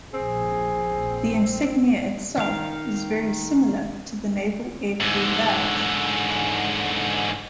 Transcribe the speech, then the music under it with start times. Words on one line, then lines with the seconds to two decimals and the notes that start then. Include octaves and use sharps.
The insignia itself is very similar to the Naval Aircrew Badge.
0.14 A#1 C4 G#4
2.38 D#3 F5
5.00 G#2 D3